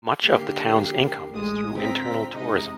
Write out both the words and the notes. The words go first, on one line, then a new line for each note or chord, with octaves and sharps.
Much of the town's income is through internal tourism.
D3 A#3 G4 C7
A1 D2 G#3 D#6
D3 C4 F4 G5 A#5 B6
C3 G#3 D#4 D#5